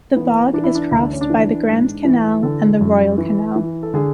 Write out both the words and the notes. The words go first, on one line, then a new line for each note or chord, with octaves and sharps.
The bog is crossed by the Grand Canal and the Royal Canal.
E3 B3
E3 D4
E4
D4
D2 E4
D4
C#4
D4
E3
G#2
E3
D3 A4
F#2
E3
E3
A4
D3 G#4